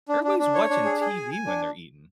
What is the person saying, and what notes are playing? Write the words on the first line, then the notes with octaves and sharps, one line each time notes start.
everybody's watching TV when they're eating."
D4
D4
D4
C#5
D4
G#4
G#4
G#5
G#5
D4